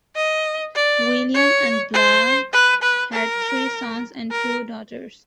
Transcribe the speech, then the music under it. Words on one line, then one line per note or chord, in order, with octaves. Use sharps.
William and Blanche had three sons and two daughters.
D#5
D5
C#5
C5
B4
B4
A#4
A#4